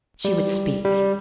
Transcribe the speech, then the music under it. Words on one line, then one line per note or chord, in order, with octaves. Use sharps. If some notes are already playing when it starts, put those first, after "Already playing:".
She would speak.
G3
G3